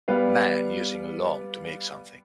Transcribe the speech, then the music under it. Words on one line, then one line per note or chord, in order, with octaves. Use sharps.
Man using a loom to make something.
G3 B3 B4 F5